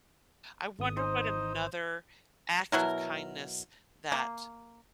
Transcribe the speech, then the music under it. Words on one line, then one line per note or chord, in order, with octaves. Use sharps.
I wonder what another act of kindness that
G#1 D#6
D#4 C5
B2 F#3 E4 A#4
A#3